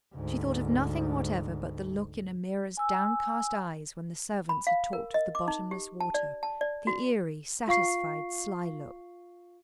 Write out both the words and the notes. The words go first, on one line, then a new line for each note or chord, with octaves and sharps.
She thought of nothing whatever but the look in Ameerah's downcast eyes when the servants had talked of the bottomless water,--the eerie, satisfied, sly look.
D2 G#2
G#5 E6
B5
F5
A#4
D#5
D6
D#4
G4
A5
D5
A5
D5
F#4
F4 F5 C#6 C7